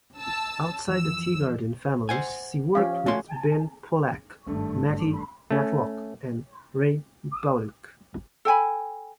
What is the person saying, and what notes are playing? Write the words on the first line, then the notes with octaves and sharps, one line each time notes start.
Outside the Teagarden family, she worked with Ben Pollack, Matty Matlock, and Ray Bauduc.
A5 E6
F2 E3 F3 E6
C5 F#5 G#5
F3 C#4 G4 F5
A3 C#4 F#4 C6
G#1 G2 A3
A3 C#4
A4 G5 G#5 B5